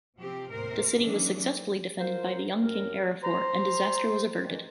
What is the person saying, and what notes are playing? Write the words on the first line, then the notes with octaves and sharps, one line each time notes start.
The city was successfully defended by the young King Araphor, and disaster was averted.
C3 F3 C4 G4
D#2 A2 C3 A#4 C5
D#3 E3 F#3 A#3 C#4 D4
F4 A#4 C5
F#2 A#4
C5 A#5
G2 D#3 E3